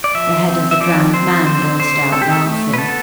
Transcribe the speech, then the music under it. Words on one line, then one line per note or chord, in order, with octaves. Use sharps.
The head of the drowned man burst out laughing.
D5
F3 E5
C4
E5
F3 D5
C4 C5
D3 C5
D3 C5
C4 A4
G4
A4
A3
B4
B3 A4